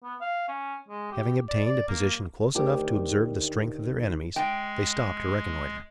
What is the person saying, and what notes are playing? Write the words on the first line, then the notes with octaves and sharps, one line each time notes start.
Having obtained a position close enough to observe the strength of their enemies, they stopped to reconnoitre.
B3
F5
C#4
G#3
G4
D5
D5
A#3
D2 D#3 G4
G#3 G5